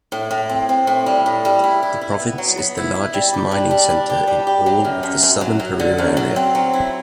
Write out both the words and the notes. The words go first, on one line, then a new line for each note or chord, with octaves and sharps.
The province is the largest mining center in all of the southern Peru area.
A2
A2
C4
C4
A2
G3
A2
G3
E4
E4
E4
B3
F#3
B3
E4
E4
G3
G4
D4
G3
D4
G4
G3
G4
F#3
F#2
F#2
F#2
F#3
F#3
D3
F#2
F#3
C4
F#3
E4